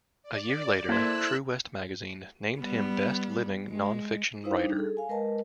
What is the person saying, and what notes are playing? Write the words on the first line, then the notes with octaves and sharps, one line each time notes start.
A year later, "True West Magazine" named him "Best Living Non-fiction Writer".
D5
A#3 E4 A4 C5 E6 F#6
G3 B3
G#3
D#4 E4 B4 C5 F5
G3 D4 D#4
G#4 A4
F5 G#5
G#3 A#4 B4 D#5 A5